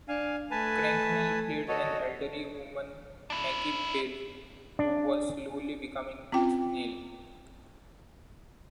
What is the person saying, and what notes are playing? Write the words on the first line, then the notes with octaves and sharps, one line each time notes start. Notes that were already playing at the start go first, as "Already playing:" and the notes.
Cracknell played an elderly woman, Maggie Beare, who was slowly becoming senile.
D4 F5 G#5
A3 B4 G#5 A5
F#4 A4 C#5 D#5
D4 E4
D4
C4 C#4 F4 G5